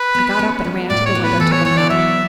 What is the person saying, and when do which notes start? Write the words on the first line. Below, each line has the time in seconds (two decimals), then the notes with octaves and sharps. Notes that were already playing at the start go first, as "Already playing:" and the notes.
I got up, and ran to the window to look out.
Already playing: B4
0.15 B3
0.39 C#4
0.65 G3
0.89 A2 D5
1.06 C#5
1.15 B3
1.23 B4
1.40 E3 A4
1.52 C#5
1.65 B3 C#5
1.77 D5
1.90 F#3 E5